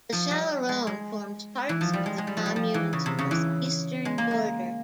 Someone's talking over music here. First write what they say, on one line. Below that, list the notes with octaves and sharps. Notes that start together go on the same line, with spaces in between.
The Chalaronne forms parts of the commune's northeastern border.
F3
G3
G#3
G#3
E3
F3
G3
G#3
G#3
G3
F3
G3
F3
E3
C#3
C3
C#3
E3
G#3
A#3
G#3